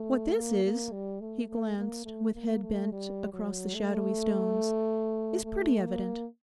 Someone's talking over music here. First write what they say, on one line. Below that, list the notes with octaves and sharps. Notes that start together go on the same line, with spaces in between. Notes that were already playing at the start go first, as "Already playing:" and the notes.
What this is'--he glanced, with head bent, across the shadowy stones, 'is pretty evident.
Already playing: A3
A#3
A#3
G3
A3
A3
A#3
A3
A#3
A3
G3
F#3
A3
A3
A#3